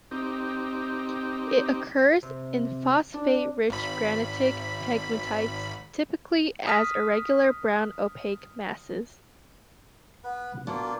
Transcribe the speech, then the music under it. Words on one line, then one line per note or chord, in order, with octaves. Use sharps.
It occurs in phosphate-rich granitic pegmatites typically as irregular brown opaque masses.
C4 D#4 G4
C3
D4
G#1 B5
D#6 F6 B6
B3 B4
B2 A#3 D4 F4